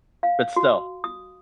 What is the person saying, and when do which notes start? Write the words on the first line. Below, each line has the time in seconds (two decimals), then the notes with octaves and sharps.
but still.
0.23 F5
0.56 F#4
1.04 D#6